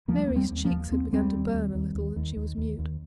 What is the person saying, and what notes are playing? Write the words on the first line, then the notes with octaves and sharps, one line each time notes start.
Mary's cheeks had begun to burn a little, and she was mute.
D#2 F3 A#3
G3
D#2 A#3
G3 C4
D#2
F3 A#3
D#2
D#2 C4
D#2 G3 C4
D#2
D#2
D#2
D#2
D#2
D#2
D#2
D#2